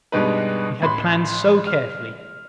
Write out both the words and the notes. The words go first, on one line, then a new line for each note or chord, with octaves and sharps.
We had planned so carefully!
G2 B2 G3 G#3 D#4 B4
A1 B5 C6
F6